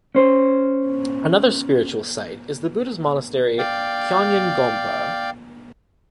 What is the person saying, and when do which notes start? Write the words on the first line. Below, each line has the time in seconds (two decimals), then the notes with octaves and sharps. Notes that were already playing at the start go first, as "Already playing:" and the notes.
Another spiritual site is the Buddhist monastery Kyanjin Gompa.
0.15 C#4 C5
3.58 D5 F5 G5